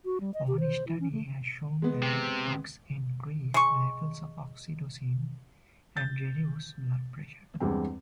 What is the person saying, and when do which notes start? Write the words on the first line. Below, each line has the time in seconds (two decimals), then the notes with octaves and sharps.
One study has shown that hugs increase levels of oxytocin and reduce blood pressure.
0.05 F#4
0.21 G3
0.34 D#5
0.47 G4
0.60 C5
0.87 E4
1.00 C#4
1.13 A3
1.82 G#3 B3
2.02 C3
3.54 G#3 C#6
5.96 G6 A6
7.60 E2 G2 G#3 C4